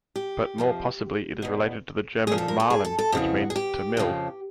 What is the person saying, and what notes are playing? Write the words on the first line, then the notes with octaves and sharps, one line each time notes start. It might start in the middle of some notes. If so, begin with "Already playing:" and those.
But more possibly it is related to the German "mahlen" which means "to mill".
G4
F2 C3 F3
E2 B2
A#2 F3 G#4
A4
A#4
A4
G#4
A4
A4
F2 C#3 E3 F#4
G#4
G4
F2 C#3 F3